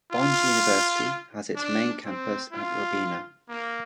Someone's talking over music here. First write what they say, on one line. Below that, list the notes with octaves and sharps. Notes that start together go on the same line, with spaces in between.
Bond University has its main campus at Robina.
F4
D4
C4
F4
A#3